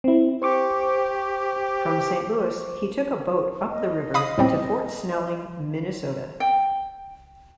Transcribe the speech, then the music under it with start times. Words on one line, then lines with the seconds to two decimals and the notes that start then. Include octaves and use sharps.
From Saint Louis, he took a boat up the river to Fort Snelling, Minnesota.
0.04 C4 E4
0.42 G4 C5 C#6 D6
3.69 D#5
4.14 F5 B5 D#6
4.38 A2 G3 C4
6.40 G5